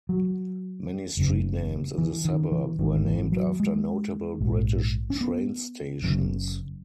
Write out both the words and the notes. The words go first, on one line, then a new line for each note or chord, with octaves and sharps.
Many street names in the suburb were named after notable British train stations.
F#3
F#1 F#2 C#3
E3
D#3
E3
G#1 G#2 D#3
E3
F#3
G#3
A#1 G#2
C#4
B3
F#1 F#2 C#3